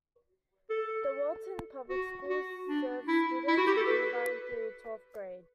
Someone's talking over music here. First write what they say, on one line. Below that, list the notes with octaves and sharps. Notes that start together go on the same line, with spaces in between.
The Wallington Public Schools serve students in kindergarten through twelfth grade.
A4
F#4
F#4
D4
E4
E4
F#4
G4
A4
B4